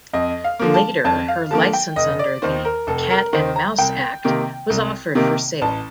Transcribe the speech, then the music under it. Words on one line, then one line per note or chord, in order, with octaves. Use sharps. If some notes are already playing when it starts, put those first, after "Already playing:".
Later, her licence under the "Cat and Mouse" Act was offered for sale.
F2 D#5
F5
D3 F3 A#3
A5
F2 A5
F5
D3 F3 A#3 A5
G5
F1 D#5
D5
D#2 D#3 C5
A#4
F1 A4
A#4
D#2 D#3 C5
A#5
C2 G5
C3 D#3 A#3
C2
C3 D#3 A#3
A1 A5